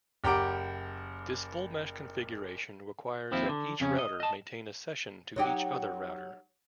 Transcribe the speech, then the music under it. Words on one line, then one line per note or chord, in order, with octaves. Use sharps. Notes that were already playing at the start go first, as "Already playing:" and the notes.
This full-mesh configuration requires that each router maintain a session to every other router.
F#1 G4 F#5 A#5 D6 D7
D#2 F3 C4 E4 F4
D3
F2 C#3 C#4
D#5
D#5 A5
F#3 D#4 G4